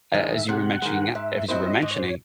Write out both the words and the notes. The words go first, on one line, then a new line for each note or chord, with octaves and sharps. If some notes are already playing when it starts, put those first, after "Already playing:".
a as you were mentioning, uh, a as you were mentioning,
D#3 G#3 E5
D#5
E5
C3 F#5
D#3 G#3
G#2 E5
F#3 C4 E4 C5 D#5
G#2 D#5
C#5
C5
C#5